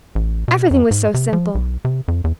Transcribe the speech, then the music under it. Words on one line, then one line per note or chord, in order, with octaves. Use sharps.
Everything was so simple.
A1
B2
F2
G#2
C3
F3
B1
C3
F2
E2